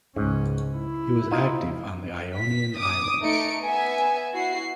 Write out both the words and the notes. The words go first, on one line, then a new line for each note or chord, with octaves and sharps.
He was active on the Ionian islands.
C#2 G#2 C#4
E4
D#4 F4
B6
D6 D#6
A3 D#4 C#7 D7
B3 E5 G#5
E4 F#4 C7